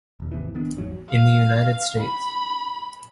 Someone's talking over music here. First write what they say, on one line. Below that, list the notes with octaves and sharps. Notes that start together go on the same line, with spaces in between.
In the United States.
E1 D#2
G#1 D#2 C3 E3
D1 D#3 B3 D4
G1 E2 G#2 F#3
F5
B5